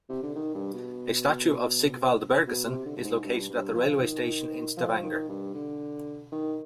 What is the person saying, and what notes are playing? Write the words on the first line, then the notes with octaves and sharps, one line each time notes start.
A statue of Sigvald Bergesen is located at the railway station in Stavanger.
C3
D3
D#3
G2
B2
B2
C3
D3
G2
G#2
G2
G2
F3
D#3
F3
D#3
G2
D3
D#3